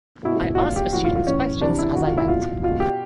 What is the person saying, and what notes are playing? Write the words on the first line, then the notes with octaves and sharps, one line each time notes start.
I asked the students questions as I went.
B2 E4
F#4
A#2 F4
G4
A2 E3 F#4
F4
F4
A2 E3 C#4
C3 E3 D4
E4
C3 D#3 F#4
F4
E4
B2 F4
B2 F4
G4